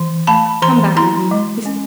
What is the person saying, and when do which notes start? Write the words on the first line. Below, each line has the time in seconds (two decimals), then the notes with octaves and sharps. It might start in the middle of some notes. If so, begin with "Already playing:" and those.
Come back with me--Mrs.
Already playing: E3
0.27 A3 A5 B5
0.62 E3 A#5 C6
0.96 E4 A#5 C6
1.31 G#3
1.66 C#4